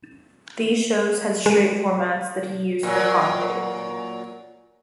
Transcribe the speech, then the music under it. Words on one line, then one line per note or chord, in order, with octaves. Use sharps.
These shows had straight formats that he used for comedy.
G#3
A#2 F#3